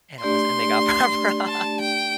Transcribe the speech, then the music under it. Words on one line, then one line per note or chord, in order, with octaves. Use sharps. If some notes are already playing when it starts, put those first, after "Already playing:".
and it was and they got Pop Rocks!
A3 D4 G4 D5 C6
A5
G5